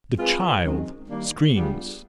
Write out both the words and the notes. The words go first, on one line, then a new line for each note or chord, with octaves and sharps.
The child screams.
G#3 C4 F4 G#4 B4
F#2 D#3 G#3 C4
D#3 G3 A#3 D4
G3 B3 D4 F4 G#4